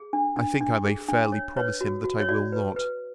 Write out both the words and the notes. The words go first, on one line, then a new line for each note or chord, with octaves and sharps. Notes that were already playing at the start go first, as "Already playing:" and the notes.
I think I may fairly promise him that I will not.
Already playing: G#4
D4
D4
D4
G#4
D4
C#5
B4 C#5
F#4
F#4
C#5
F#4 D5
B4
B4